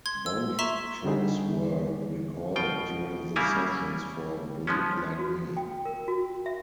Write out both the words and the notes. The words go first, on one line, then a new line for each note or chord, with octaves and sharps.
Both tracks were recorded during the sessions for "Bleed Like Me".
C6 G#6
E6
E5 A#5 C6 C#6 B6 E7
D3 G3 D#4 G#4
B2 F4 G5
C#3 G3 A#3 E4 F5 G#5
F3 G#3 B3 C#4
F#4
G5
A#4
F#4
E5